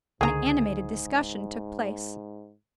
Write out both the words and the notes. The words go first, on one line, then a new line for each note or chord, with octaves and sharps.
An animated discussion took place.
C#2 G#2 D3 D#3 G4 G#4 A#5